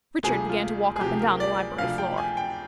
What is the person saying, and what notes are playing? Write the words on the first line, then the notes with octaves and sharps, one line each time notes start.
Richard began to walk up and down the library floor.
D2 C3 F3 G#4
F4
G#4
D2 C3 F3 G4
A#4
D5
D2 C3 F3 F5
G5
G#5
G5